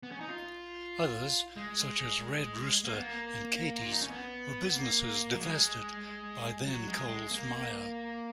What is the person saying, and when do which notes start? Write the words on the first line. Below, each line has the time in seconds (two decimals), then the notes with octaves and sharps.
Others such as Red Rooster and Katies were businesses divested by then Coles Myer.
0.03 B3
0.11 C#4
0.20 D#4
0.29 F4
1.56 G#3
2.84 A#3
2.93 B3
3.02 A#3
3.82 F4
3.92 D#4
4.02 C#4
4.11 B3
4.64 B3
4.76 A#3
5.35 F#3
5.40 G#3
6.67 F#3
6.87 G#3
7.09 G#3
7.31 A#3